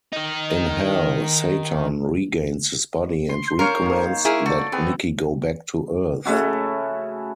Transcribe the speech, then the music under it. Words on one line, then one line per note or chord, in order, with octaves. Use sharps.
In Hell, Satan regains his body and recommends that Nicky go back to Earth.
D#3 D#4
C6
A#4 C5 C#5 F5
D#3 A#3
E4 G#4 A#4
F#4 A4 D5
B3 C4 G#4
C#3 A3 E4 F#4